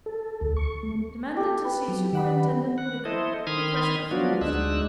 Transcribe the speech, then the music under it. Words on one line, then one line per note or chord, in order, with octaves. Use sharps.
Demanded to see Superintendent Whittaker. Request refused.
A4
D2
C#6
A3
G4 A4
B4
F#3
D#3 F#5 B5
F#5
E4 A4 C5 D#5
D#3 B5 C6 D#6 F6 G#6
F3 F#3 B3 D4 F4 F#4
D2 G#3 D4 D#4 E6 F#6